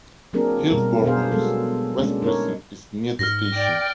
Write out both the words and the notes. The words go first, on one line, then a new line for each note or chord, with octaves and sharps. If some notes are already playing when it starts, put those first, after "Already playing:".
Hillsboro's West Precinct is near the station.
F#3 A#3 C4 D4 G#4 A#4
B2 G3 A#4
B2 B3 D4 G#4 C5 F5
F#3 G#3 B3 A4
G#3 A#3 C#4 D4
D#4 A#4 C#5
G#2 F6 A#6
D5 G5